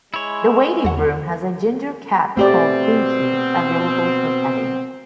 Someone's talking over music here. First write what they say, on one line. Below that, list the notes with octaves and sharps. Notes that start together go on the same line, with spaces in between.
The waiting room has a ginger cat called Dinky available for petting.
G#3 E4 C#5
E2 F#4 F#5
B2 A3 C4 G4 D5